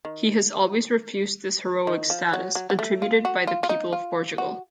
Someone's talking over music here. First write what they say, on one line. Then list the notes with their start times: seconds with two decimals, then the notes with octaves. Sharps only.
He has always refused this heroic status, attributed by the people of Portugal.
0.05 D#3
1.87 D#3
2.10 F3
2.33 F#3
2.55 F#3
2.70 F#3
2.79 A3
3.02 F4
3.25 F#4
3.47 F4
3.63 F4
3.69 D#4
3.93 F4
4.38 F#4